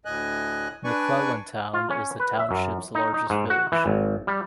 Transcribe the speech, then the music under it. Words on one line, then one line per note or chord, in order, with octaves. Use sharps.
McClellandtown is the township's largest village.
D2 A2 D#5 G#5 F#6
D4 B4 D5 G#5 C#6
F4
C#4
B4
E5
F#2
D#4
D#4
G#2
F#4
E3
G#1
G3